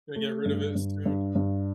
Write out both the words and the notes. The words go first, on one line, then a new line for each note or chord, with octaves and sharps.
Gonna get rid of it soon.
A3
G2
G2
G2
G2